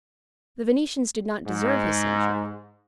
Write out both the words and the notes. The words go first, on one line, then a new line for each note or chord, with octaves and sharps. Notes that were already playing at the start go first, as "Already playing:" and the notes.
The Venetians did not deserve his censure.
G#2